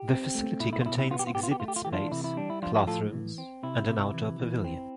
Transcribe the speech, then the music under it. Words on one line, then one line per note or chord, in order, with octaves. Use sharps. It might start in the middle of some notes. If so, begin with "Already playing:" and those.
The facility contains exhibit space, classrooms, and an outdoor pavilion.
Already playing: G4
C4
A3
B2 E4
E4
F4
B2 E4
E4
B3 F4
G4
F4
B3 G4
F4
G4
A3 F4
G4
F4
E3 G4
D4 F4
C3 E4
E4
G3 D4
E4
F3 D4 F4
E4 G4
A2 F4 A4
E3
C4
C3 E4
C3
E3
E3
C4